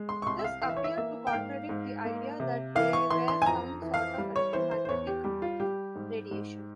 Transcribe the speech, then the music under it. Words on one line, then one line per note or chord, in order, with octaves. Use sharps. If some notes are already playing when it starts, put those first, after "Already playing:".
This appeared to contradict the idea that they were some sort of electromagnetic radiation.
Already playing: G#3
C6
C#6
C2 C6
E5
F5
E3 F5
E5
C#5
E5
A#3 E5
G5
G#2 F5
G#2
A#3
C3
E3 F5
C#6
E3 C6
C6
G#5
F2 A#5
E3
F5
G3
C#5
E3 C5
C5
C5
E2 C#5
G4
G3 G4
F4
G3 G4
G#2
G#2